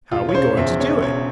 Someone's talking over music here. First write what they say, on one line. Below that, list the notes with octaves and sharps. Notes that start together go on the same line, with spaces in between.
"How we goin' to do it?"
E1 F4
C#5
C#3 C5
E2 E5
C#3 C#5
E1 C#5